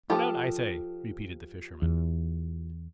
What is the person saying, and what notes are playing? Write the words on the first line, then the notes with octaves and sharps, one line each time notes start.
"Get out, I say!" repeated the Fisherman.
F3 G4 A4
E2